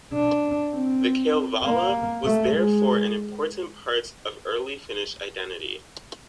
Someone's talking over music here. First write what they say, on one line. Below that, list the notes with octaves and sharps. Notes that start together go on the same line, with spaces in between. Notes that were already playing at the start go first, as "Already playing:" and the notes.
The "Kalevala" was therefore an important part of early Finnish identity.
D4
C4
A#3
A3
G#3